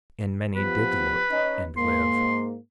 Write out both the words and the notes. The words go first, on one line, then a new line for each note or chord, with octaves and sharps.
And many did look and live.
F3 B3 G4 B4
C#4 D#4 D#5
G#2 A#3 C6